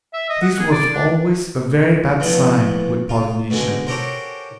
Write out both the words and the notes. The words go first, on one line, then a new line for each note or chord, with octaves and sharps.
This was always a very bad sign with Polynesia.
E5
D#5
F#5
G#4
D5
D4
E3 F3 G3 A3 B3
F4
B2 D3 G#3
C#4 F#4 G4 A4 A#4 C5